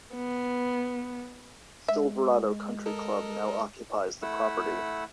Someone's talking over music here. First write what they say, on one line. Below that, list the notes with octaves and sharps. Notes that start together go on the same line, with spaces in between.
Silverado Country Club now occupies the property.
B3
G#3 E5
A4 A#4 D#5
A3 E4 F#5 E6